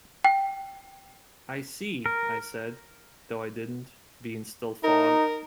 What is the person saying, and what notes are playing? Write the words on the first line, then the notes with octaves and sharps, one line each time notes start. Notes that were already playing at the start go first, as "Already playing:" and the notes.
"I see," I said, though I didn't, being still fogged.
G5
A#4
D#4 A#4